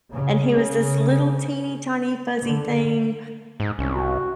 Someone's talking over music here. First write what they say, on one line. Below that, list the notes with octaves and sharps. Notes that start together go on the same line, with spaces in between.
and he was this little, teeny, tiny, fuzzy thing
C#3
D3
G#2
C2 C#4
F#4